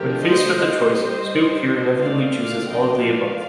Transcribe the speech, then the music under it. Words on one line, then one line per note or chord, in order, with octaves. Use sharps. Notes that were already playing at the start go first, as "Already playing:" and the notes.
When faced with a choice, Snoop here inevitably chooses all of the above.
Already playing: D3 F3 A3 D4 G4 A#4
C5 D#5
G3 C4 C5 D#5
G3 D4
D3 A3 C4 D5 F5
D5 F5
F3 A3 D4 D#5 G5
D5 F5